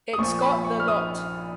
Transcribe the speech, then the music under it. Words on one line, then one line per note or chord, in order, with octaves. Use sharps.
It’s got the lot.
D#6
A#1 A#2 F3 C#6
B5
C#6
F6
D#6